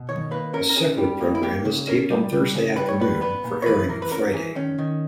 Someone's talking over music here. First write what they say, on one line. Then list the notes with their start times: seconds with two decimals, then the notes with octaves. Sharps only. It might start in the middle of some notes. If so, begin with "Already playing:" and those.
A separate program is taped on Thursday afternoon for airing on Friday.
Already playing: B2
0.09 D#3 C#5
0.31 A#3 B4
0.53 C#4 A#4
0.69 A#4
0.76 C#4 G#4
0.97 G3 G4
1.21 A#3
1.35 E4
1.42 A#3 G4
1.65 C#3
1.87 C#4 A#4
2.10 G3
2.32 G3
2.55 C#3
2.76 G3 B4
2.89 C#5
3.00 B3 B4
3.21 B3 B4
3.44 A#2
3.62 C#5
3.66 E3 B4
3.79 B4
3.89 E3 A#4
4.02 B4
4.11 C#4 A#4
4.33 E3 G#4
4.55 D#3 C#4
4.79 D#3